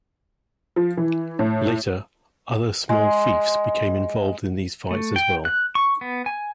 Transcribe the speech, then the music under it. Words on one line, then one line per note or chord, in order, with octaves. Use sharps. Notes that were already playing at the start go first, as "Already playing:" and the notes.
Later other small fiefs became involved in these fights as well.
F3
E3
A2
G#3
A3
G5
F#6
C#6
B3
G#5